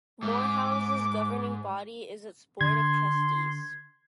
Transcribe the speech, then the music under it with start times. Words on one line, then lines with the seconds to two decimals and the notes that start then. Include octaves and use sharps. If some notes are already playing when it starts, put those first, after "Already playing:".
Morehouse's governing body is its Board of Trustees.
0.23 G#2 D6
2.61 D3 C6 G#6